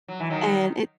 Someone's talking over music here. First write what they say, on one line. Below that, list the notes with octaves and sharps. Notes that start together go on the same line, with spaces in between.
and it
F#3
E3
D#3 F#3